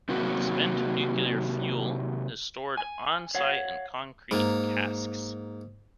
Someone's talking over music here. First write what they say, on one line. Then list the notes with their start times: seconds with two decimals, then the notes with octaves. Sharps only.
Spent nuclear fuel is stored on-site in concrete casks.
0.09 C3 D#3 F#3 A#3 F#4
2.77 G#5
3.35 C#5 F5 F#5
4.31 G#2 A#3